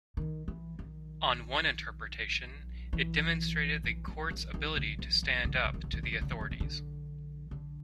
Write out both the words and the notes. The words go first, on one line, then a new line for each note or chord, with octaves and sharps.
On one interpretation, it demonstrated the courts' ability to stand up to the authorities.
D#3
E3
D#3
E3
E3
E3
D#3
D#3
D3
E3
D#3
D3
D#3
D3
D#3
D3
D#3
D3
D#3
D3
D#3
D3
D#3
D3
D3